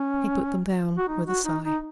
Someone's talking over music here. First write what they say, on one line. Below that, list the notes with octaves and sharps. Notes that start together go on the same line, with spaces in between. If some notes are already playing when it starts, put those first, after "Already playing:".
He put them down with a sigh.
Already playing: C#4
F#4
D#4
F#4
D#4
D#4